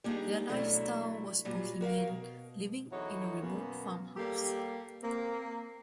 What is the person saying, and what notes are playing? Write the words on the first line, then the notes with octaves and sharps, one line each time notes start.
Their lifestyle was bohemian, living in a remote farmhouse.
G3 A#3 D4 D#4 G4 G#4
G#2 B2 F#3 A3 D4 E4
A#2 F#3 G3
F#4 A#4 E5 F5
B2
E2 F#3 D#4 E4 A4 C#5
F#2 B2 A#3 B3
G3 A#3 G4 A4
A#3 C4